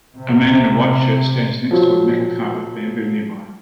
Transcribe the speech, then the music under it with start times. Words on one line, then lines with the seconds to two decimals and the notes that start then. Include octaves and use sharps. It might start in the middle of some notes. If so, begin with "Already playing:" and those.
A man in a white shirt stands next to a metal cart with bamboo nearby.
0.16 C3
1.71 F3 F#3